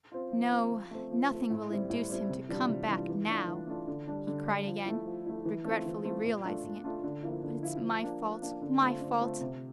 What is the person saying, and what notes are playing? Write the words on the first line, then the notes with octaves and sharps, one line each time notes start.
No, nothing will induce him to come back now!" he cried again, regretfully realizing it; "but it's my fault, my fault.
C4 F4
F3
C4 F4
F3
A3 C4
F3
A3 C4
A2
G3 C4 E4
A2
G3 C4 E4
C3
E3 G3 D4 F4
C3
E3 G3 D4 F4
E3
A3 D4 F4
E3
A3 D4 F4
D3
G3 D4
D3
G3 D4
F3
A3 E4
F3
A3 E4
E3
A3 C4 F4
E3
A3 C4 F4
A#2
A3 D4 F4
A#2
A3 D4 F4
D3
F3 A#3 E4
D3
F3 A#3 E4
F3
A#3 D4
F3
A#3 D4
D3
A3 C4 F4
D3
A3 C4 F4
C3